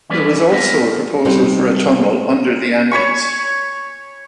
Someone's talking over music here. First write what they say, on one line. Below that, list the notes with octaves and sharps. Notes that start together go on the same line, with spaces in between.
There was also a proposal for a tunnel under the Andes.
E3 G3 C#4 A4 B4 D5
B3 C4 A#4 B4
C3 G3 C4 D#4 B4
C#5 B5 C#6